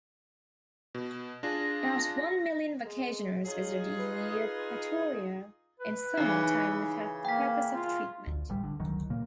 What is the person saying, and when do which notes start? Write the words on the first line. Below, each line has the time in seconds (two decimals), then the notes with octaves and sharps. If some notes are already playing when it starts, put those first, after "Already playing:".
About one million vacationers visited Eupatoria in summer time without the purpose of treatment.
0.95 B2
1.43 D4 F4 G#4 A#6
2.86 G#3
3.46 F#3 D#4 F4 G#4
3.99 B4
5.80 B4
6.17 C#3 E3 D#4
7.25 A#3 G5 B6
7.73 F4
8.27 D2
8.49 A1 G3
8.64 D3
8.79 F#1 C#2 D#3 F#3
9.10 A#2 C#3 A#3